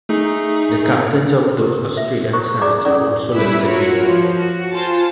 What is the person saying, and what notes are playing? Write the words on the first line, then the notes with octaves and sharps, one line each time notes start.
The captains of those Australian sides are also listed below.
A3 D#4 G#4
G4 A#4
E5
A#4 C5 A#5 C#6
G#4 D5 A#5 D6
C#4 E4 A4 D5 A#5 D6
G3 C#4 E4 B4 E5
F4 F#4 A#4 C#5
F3
F#4
F4 C5 G#5 A5